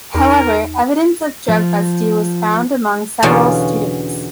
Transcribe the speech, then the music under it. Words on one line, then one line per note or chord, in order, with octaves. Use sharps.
However, evidence of drug residue was found among several students.
E2 D#4 A#4
F3
E2 B2 D3 C#4 F4 F#4